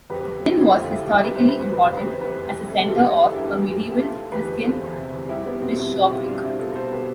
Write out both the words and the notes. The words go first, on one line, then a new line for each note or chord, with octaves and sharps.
Nin was historically important as a centre of a medieval Christian Bishopric.
F2 G4 B4
F2
F2
F2
F2 F4 A4
F2 E4 G4
F2 E4 G4
G3 B4
E3 C5
B4
F2 C5
F2 B4
F2 C5
B4
F2 C5
E3 G4 B4
F2
F2
A3 A4
G4
E3 F4 A4
A3
E3
A4
G2 E4 G4
E3
E3
A3
G4
A3 F4 A4
A3
E2 G4 B4
F3
E2 F4 A4
E2
C3
E2
G3 E4 G4
G3 B3
B2 C4
G3 C4 E4
B2
F4
B2 E4 G4
G3 D4 F4
G3 C4 E4
B2 F4 A4
A3 A4 C5
B2 G4 B4